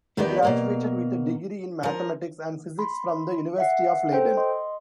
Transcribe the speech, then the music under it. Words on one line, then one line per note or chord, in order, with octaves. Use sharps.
He graduated with a degree in mathematics and physics from the University of Leiden.
E2 D#3 B3 G4 B4 D5
B2 A#3 F5
F3 A#4
B5 C6
E5 F#5 C7
A4 C5 G5
D#5 C6